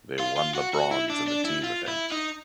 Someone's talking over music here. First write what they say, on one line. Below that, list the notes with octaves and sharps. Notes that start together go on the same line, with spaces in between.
They won the bronze in the team event.
F4
F4
F#4
F#4
E4
D4
D4
E4
F4
E4
D#4